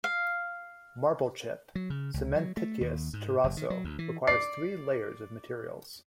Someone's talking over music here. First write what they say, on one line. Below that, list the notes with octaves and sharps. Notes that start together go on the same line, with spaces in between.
Marble-chip, cementitious terrazzo requires three layers of materials.
F5
F#3
C#3
C#2
F#3
A3
D#2
G#2
F#1
D#3
F#3
D2
E3
D5 C7